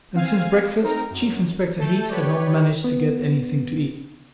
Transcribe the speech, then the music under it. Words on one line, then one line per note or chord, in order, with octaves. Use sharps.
And since breakfast Chief Inspector Heat had not managed to get anything to eat.
C4 F5 G#5
C4 D#4 A#4 A#5
F#2
A3 A4 A5 G6
G4 B4 C#5 D5
B3